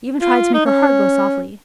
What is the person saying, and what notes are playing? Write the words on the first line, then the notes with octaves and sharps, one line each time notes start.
She even tried to make her heart go softly.
F4
D#4
C#4